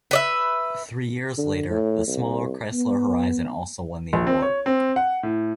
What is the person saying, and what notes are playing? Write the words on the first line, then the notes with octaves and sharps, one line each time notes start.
Three years later, the smaller Chrysler Horizon also won the award.
B4 D5 E5
D3
A2
C2
B3
A#1
C4
C#5
C4
F#5
A2